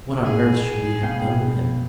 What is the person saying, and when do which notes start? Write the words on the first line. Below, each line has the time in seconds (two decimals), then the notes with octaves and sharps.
"What on earth should we have done with him?"
0.25 A2 G#4
1.03 B2 F5 G5